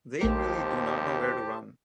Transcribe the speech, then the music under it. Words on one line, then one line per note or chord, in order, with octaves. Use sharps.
They really do not know where to run.
A#1 D#2 A3 G4 A#4 C5 A5